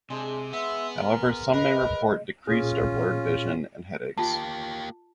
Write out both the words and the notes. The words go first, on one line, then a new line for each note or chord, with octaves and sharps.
However, some may report decreased or blurred vision, and headaches.
C3 G#3 D4
B4 E5 F#5
A#4
A#4 B4 D#5
A#2 C#4 F4 G#4
A#3 F4 G4 A5